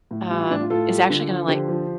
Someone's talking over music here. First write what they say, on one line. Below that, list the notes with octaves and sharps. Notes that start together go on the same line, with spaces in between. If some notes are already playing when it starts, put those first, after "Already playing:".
um, is actually gonna, like
A2
G3 F4
F4
A2 D4
F4
A2 F4 A4
G3
D3
F3
D3 G4 C5
F3